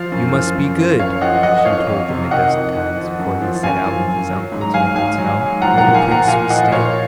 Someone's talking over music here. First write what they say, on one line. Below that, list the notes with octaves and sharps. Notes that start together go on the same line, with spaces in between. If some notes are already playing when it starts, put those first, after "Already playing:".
"You must be good," she told him a dozen times before he set out with his uncle to the hotel where the Prince was staying.
Already playing: F3 F5
F#2
F3
F#2
F3
F#2 C#5 F5
F3 D#5 F#5
F#2 D#5 F#5
F2 C#5 F5
F2
C3
D#3 D#5 F#5
F2
F2
F3
F#2
F3
F#2 F5 G#5
F3
F#2
F#3
G#2
A#5
F#3 F5 G#5
G#2 F5 G#5
F#3
G#2
F3 F#5 A#5
F#5 A#5
A#2
F5 G#5
F3
F#5 A#5
A#2 F5 G#5
F3 D#5 F#5
A#2 C#5 F5